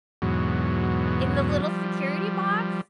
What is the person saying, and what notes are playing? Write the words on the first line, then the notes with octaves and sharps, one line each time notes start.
In the little security box?
E2 G#2 B2 F#3
F3 G3